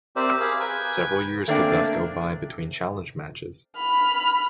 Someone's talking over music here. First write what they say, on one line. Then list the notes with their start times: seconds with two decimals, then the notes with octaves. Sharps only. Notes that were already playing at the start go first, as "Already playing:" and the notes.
Several years could thus go by between challenge matches.
0.16 C4 G4 A#4 C5 D5 E5
0.41 G#4 A#4 F5 B5
0.60 B4 G5 G#5
1.48 A3 A#3 C4 D4 D#5 G5
3.77 B5 F6